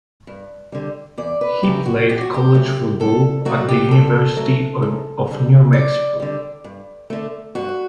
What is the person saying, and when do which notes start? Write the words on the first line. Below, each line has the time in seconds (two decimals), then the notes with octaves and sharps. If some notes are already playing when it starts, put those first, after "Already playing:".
He played college football at the University of New Mexico.
0.27 G2
0.72 D3 G3
1.18 E2 D5
1.41 B4
1.63 C#3 F#3 A3 G4
1.86 F#4
2.09 E2 G4
2.21 F#4
2.34 G4
2.54 C#3 F#3 A3
3.00 G2 A4
3.45 F#3 A3 F#4
3.68 G4
3.91 G2 A4
4.37 F#3 A3
4.82 F#2
5.27 D3 G3
5.73 F#2 D5
6.20 D3 G3
6.64 G2
7.10 D3 A3
7.55 G2 F#4